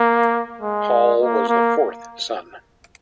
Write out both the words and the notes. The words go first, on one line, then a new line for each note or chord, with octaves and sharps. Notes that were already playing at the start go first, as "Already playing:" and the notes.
Hall was the fourth son.
Already playing: A#3
G#3
A#3
A#3